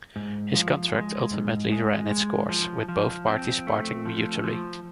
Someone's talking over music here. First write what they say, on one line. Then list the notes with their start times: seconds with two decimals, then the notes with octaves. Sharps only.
His contract ultimately ran its course with both parties parting mutually.
0.16 G#2
0.55 F3
0.94 G#3
1.33 G#2
1.72 G#3
2.11 G#3
2.49 F3
2.89 F3
3.27 C4
3.67 A3
4.06 F3
4.44 F3